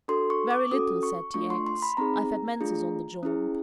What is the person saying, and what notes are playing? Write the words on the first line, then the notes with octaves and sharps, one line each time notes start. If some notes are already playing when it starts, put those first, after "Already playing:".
"Very little," said T. X. "I've had Mansus on the job."
D4 F#4 A4 C6
C#6
D6
C#4 F#4 A4 D#6
C#6
A3 D4 F4 C#6
C6
C6
B5
C4 D#4 G#4 A#5
A3 D4 F4 G#4
C#4 E4 G#4